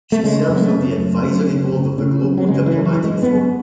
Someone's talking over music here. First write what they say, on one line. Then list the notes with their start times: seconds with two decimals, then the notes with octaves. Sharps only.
She serves on the advisory board of the "Global Diplomatic Forum".
0.12 A3
0.24 C#3 G#3
0.49 F#2
0.56 B3
0.61 A3
0.74 C#3
0.98 F#2
1.23 F#2
1.49 C#3
1.73 C#3
1.98 C#3
2.23 F#2
2.37 F#3
2.48 C#3 G#3
2.66 E3
2.73 F#2
2.85 E3
2.98 F#2
3.04 G#3
3.23 F#2 B3